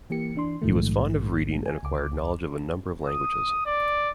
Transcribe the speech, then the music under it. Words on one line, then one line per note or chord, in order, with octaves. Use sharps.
He was fond of reading and acquired knowledge of a number of languages.
E3 A#3 G4 C#7
E3 D4 C6
A#1 G#2 D#3 F3 F#3 A3
G#5
C#2 D6
D#6
D5